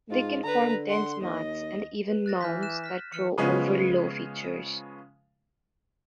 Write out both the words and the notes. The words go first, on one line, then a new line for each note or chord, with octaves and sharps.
They can form dense mats and even mounds that grow over low features.
G#2 F4
D3 B4 A#5
F#5 C6
D#2 D#5
B4
F#6 A6 A#6
E3 F6 G6 B6
F#6 E7
F6 B6
E3 F6 C#7
C#3 F3 G#3 B3 C#4